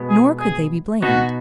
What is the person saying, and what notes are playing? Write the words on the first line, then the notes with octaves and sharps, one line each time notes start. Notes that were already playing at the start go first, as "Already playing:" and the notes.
Nor could they be blamed.
Already playing: B2 G#3 B3
G#4
G#4
B2 B3 D#4 F#4